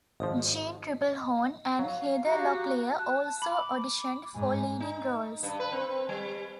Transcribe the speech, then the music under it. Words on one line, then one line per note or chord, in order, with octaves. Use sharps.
Jeanne Tripplehorn and Heather Locklear also auditioned for leading roles.
G#1 F3 D#5
F#3 F5
F#4 G4 F5 A#5
A5 F#6
B5 D6
G#2 G#5
D#4
G2
B4
C4
G3